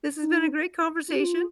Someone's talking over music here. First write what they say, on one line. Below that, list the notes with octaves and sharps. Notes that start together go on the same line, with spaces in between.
this has been a great conversation.
D#4
F4
G4
F4